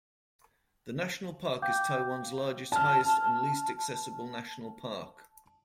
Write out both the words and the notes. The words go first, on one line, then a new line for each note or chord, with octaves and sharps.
The national park is Taiwan's largest, highest and least accessible national park.
F5 G5 D6 G6
A5 F6